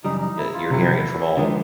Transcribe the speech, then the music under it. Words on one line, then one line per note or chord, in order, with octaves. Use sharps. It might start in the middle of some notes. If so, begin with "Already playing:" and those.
Eh, you're hearing it from all
F#2 C#3 E3 G3 D#4
D#4
E4
F4
C3 D#3 F#3 E4
D3 F3 G#3 B3 D#4